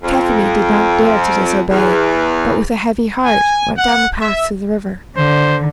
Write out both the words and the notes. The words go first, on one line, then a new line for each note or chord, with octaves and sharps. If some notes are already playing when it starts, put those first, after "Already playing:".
Tephany did not dare to disobey, but with a heavy heart went down the path to the river.
F2
E2
G#5
F#5
E5
D3 C5